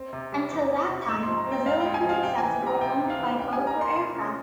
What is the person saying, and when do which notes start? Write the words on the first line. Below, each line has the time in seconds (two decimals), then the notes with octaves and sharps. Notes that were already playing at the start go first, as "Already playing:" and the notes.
Until that time the village was accessible only by boat or aircraft.
Already playing: C4
0.13 C3
0.32 G3
0.51 E2
0.70 C4
0.89 C3
1.02 C#6
1.08 G#2 E6
1.23 C6
1.28 F3
1.37 A#5
1.47 C4 G5
1.66 G#2 F5
1.80 G#2 G5
1.94 G#5
2.05 F3 F5
2.23 C3 G5
2.38 E3 G#5
2.52 G5
2.62 G3 A#5
2.81 C3 G5
3.00 C3
3.10 F5
3.19 E3
3.38 C#4 G5
3.53 G3 G#5
3.67 A#5
3.76 A#3 C6
3.96 C3
4.15 C#4